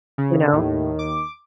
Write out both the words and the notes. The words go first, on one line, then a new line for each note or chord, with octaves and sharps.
You know?
C#3
D#2 A2 D#3
D6